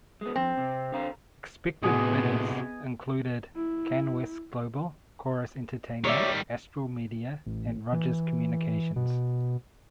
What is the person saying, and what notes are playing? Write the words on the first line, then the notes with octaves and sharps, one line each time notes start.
Expected bidders included Canwest Global, Corus Entertainment, Astral Media, and Rogers Communications.
G#3 B3
F2 C4
C3
D3 F5 A#5
A2 C3 B3 F#4 G#4 D#5
E4
D#3 G3 C#5 D5 E5
A1
E3
B2